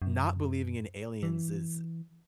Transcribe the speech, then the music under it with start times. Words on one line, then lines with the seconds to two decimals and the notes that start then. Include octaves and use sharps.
not believing in aliens is
0.02 F#2
1.23 E3